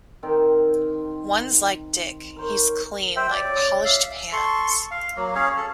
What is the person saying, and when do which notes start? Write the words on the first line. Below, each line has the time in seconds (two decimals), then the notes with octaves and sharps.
One's like Dick: he's clean like polished pans.
0.23 D#3 C4 A#4
2.36 A#4 C5 C#5
3.16 G#3 C5 E5 G5
3.31 F#3 C#5 D5
3.44 C#3 F#4
3.56 F#5 G#5
3.85 E5 F5
4.33 A4 C6 C#6
4.91 F5
5.17 F#3 A#3
5.35 C#4 G#4 C#5 F5
5.57 A4